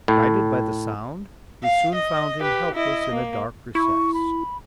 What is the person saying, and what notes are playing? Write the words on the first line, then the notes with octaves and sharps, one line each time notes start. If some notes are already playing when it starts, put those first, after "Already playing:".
Guided by the sound, we soon found him helpless in a dark recess.
A2
F5
D#5
G4 B4
E4 D#5
A#3
E4 C#6
B5